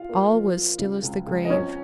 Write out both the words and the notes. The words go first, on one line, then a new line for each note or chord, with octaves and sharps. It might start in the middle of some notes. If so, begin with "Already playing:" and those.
All was still as the grave.
Already playing: F4 F5
A#3
F3
F3
C#3
C#2
C#2
D#5
F3 C#4 C#5